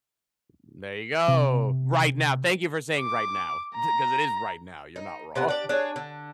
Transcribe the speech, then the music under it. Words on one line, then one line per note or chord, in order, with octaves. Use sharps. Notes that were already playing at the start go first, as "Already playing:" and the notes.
There you go. Right now. Thank you for saying, "Right now." Th 'cause it is right now, you're not wrong.
C3
D6
A#5
D#4
C3 B3 F#5
D4 G4 D5
D4 G#4 C#5
D3